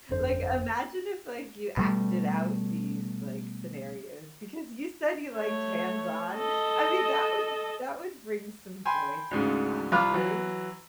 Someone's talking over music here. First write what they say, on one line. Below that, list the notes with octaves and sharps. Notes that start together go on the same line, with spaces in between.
like, imagine if, like, you acted out these, like, scenarios because you said you liked hands-on, I mean, that would that would bring some joy to the classroom
G1 F2 D3 C5
B2 G3 A3
A3 C#5
A4 D#5
G5 G#5 B5 C6
D2 G#2 C#3
C2 F4 B5 D6 F6
E3 F#3